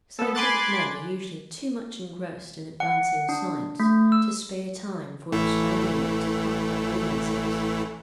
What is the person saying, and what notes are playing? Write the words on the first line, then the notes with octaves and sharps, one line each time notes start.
Scientific men are usually too much engrossed in advancing science to spare time for expounding it to popular audiences.
B3 A4
G#5 B5 C6 D6 F#6 A6
F#5
D4
A3
E6
A1 E3 A3